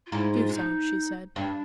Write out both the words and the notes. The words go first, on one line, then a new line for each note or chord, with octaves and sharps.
"Do so," she said.
F4
G#2 E4
F4
D4
D#4
G2 D4